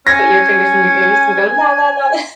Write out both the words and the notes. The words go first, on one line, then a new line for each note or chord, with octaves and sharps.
put your fingers in your ears, and go, la, la, la, la
C#4 G#5 G#6 A#6